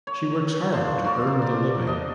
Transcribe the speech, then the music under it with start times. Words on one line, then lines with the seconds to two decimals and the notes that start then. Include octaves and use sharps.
She works hard to earn the living.
0.07 C#5
0.73 F3 D4 C5
1.04 F#4 A#4 D5
1.42 D5
1.87 D4 D#5